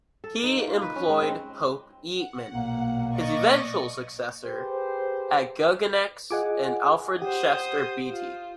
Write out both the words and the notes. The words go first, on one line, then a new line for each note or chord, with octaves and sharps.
He employed Pope Yeatman, his eventual successor at Guggenex, and Alfred Chester Beatty.
A4
D#4
A#3
F4
B4
C#4
G#3
C4
F#5
B1 A#2 A#3
D5 D#5 C#6
G4 G#4 B4 C5
F4 G#4 D#5 F#5 G#5 D6
G4 C5 F#5 D#6
F4